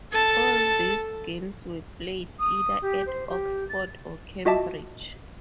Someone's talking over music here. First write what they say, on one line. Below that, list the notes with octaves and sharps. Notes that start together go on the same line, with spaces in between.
All these games were played either at Oxford or Cambridge.
A4 A5
D#6
G4
C5
G4
A6
F4 F#4 D#5 E5 A5 D6